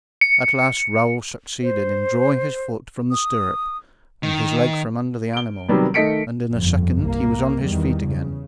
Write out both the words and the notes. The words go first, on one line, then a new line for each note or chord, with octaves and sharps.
At last Raoul succeeded in drawing his foot from the stirrup and his leg from under the animal, and in a second he was on his feet again.
C#7
C5
D#6
D#3
D7 G7
C3 D#3 F#3 G3 B3
D#3 A3 D#5 B6 C#7 D7
G1 F2 G#2
C2 A#3
E2 D#3 G3
C#3